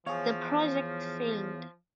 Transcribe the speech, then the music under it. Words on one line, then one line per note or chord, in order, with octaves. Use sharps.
The project failed.
E2 F3 G#4 C#5 F5